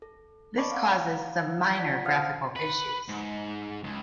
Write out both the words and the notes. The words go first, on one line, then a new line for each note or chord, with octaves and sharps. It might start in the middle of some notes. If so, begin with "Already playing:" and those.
This causes some minor graphical issues.
A4
D5 D#5 A5 B5 C#6 D6
F5 F#5 A#5
F4 D5 F#5 A5 G#6 B6
C5 F5 F#5 D#6 F6
B4
G#2
C#2